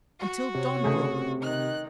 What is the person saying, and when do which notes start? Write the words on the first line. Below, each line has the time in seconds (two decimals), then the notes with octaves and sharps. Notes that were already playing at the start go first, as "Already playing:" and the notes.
Until dawn broke.
0.20 F#4
0.55 C3 C#5
0.84 C#3 A3 G#4
1.42 D#3 F#6